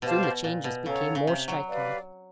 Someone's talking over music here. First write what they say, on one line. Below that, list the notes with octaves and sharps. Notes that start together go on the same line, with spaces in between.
Soon the changes became more striking.
B2 G4 C5 F5 A5
B2
A#2
B2
C#3 A4 C#5 F#5 A#5
C#3
C3
F#3
G4 B4 D5 F5